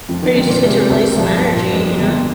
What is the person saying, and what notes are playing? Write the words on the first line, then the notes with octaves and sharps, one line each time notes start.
Or you just get to release some energy. You know?
F2 F3
D#3
D3 C4
A#2
C3 G#3
C2
A#2 F3
G2
F3
A#2
F2 G#3
G#3
A#3
G1
F4